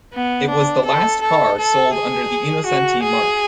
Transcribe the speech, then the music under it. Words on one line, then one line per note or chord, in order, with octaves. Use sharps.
It was the last car sold under the Innocenti marque.
B3
D4
A4
A4
A4
G#4
F#4
G#4